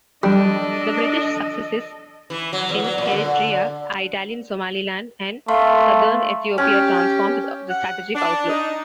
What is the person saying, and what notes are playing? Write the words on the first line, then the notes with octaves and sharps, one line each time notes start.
The British successes in Eritrea, Italian Somaliland and Southern Ethiopia, transformed the strategic outlook.
G3 D4 A4 D#5
E3
F#3
E2
F#3
A#2
D3
A3 F5 C6
C#4 G4
F#5
D4
D#4